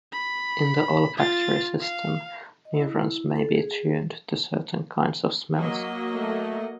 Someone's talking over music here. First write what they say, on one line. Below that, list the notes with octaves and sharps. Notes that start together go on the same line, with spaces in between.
In the olfactory system, neurons may be tuned to certain kinds of smells.
B5
F4 A6
F5
D#5
E4
A4
G#4
G#4
F#3 A#3 D#5
A3